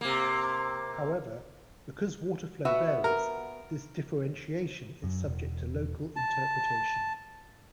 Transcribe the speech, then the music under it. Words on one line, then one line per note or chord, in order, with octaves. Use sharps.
However, because water flow varies, this differentiation is subject to local interpretation.
C3 A#3
B3 F#4 E5
A#4
F#2
E1
A5